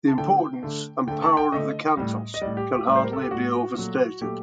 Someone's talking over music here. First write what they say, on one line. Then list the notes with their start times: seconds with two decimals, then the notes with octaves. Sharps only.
The importance and power of the Cantos can hardly be overstated.
0.08 A5
0.18 D3 A3 G5
0.63 D3 A3
1.07 D3 A3 G5
1.22 A5
1.37 G5
1.52 D3 A3 D#5
1.97 A2 G3
2.34 D#5
2.41 A2 G3 D5
2.57 G4
2.72 G4
2.87 A2 G3
2.95 C5
3.04 A#4
3.13 A4
3.22 G4
3.31 A2 G3 F#4
3.76 A#2 F#3 A3
4.21 A#2 F#3 A3 G4